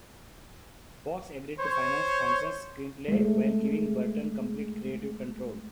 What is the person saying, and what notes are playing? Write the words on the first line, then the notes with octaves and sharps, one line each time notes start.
Fox agreed to finance Thompson's screenplay while giving Burton complete creative control.
C5 C#5
G#3 A3